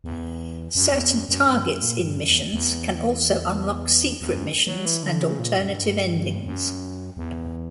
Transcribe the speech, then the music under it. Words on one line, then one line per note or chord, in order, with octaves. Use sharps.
Certain targets in missions can also unlock secret missions and alternative endings.
E2
F#2
E2
F#2
F#2
G2
F#2
A#2
G2
F#2
E2
E2
E2
F#2
F#3
E3
D3
C#3
A#2
F#2
G2
F#2
E2